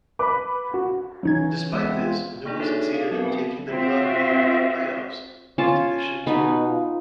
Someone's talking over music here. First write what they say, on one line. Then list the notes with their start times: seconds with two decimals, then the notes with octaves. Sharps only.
Despite this, Newell succeeded in taking the club near the play-offs of Division Two.
0.19 B4 B5 D6
0.74 F#4
1.23 E3 F#3 C#4 D#4 G#6
1.72 G#3 B3 E5
1.85 C4
2.01 F4
2.45 A#3 D4 G#4 D5
2.59 D#4 F#4 G#4 A4 C#5 E5
2.92 A4 F5 D#6
3.11 F#3 B3 C4 A#4
3.25 F#4 A#4 G5
3.69 C4 F4 F#4 E5
5.58 C#4 F4 A5
6.27 B2 D#4 B4
6.68 F4